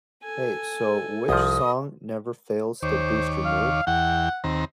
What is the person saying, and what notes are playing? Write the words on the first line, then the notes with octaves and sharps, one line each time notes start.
Hey, so which song never fails to boost your mood,
A4 G#5
C2 F3 D#6
D#2 C5 C#5 D6
F5
E2 F#5 G5
D#2 C4 A#5